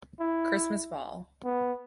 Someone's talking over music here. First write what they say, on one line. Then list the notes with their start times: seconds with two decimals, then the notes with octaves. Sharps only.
Christmas Vol.
0.20 E4
1.44 B3